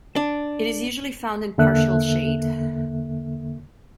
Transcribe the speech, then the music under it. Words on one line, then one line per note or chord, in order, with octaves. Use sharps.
It is usually found in partial shade.
D4
E2 D3 A#3 A4 E5 F#6